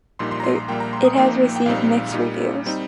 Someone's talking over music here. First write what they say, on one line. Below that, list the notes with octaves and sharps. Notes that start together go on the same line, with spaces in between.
It has received mixed reviews.
A#1 A#2 G3 D#4 C6
C6
A#5
C6
A#5
A#1 A#2 G3 A#3 G5
A#5
C6
D#6
A#1 A#2 F3 A#3 D#4 G5
G5
A#1 A#2 G3 C4 D#4 F5
A#2 G3 D#4
G3 C4 D#4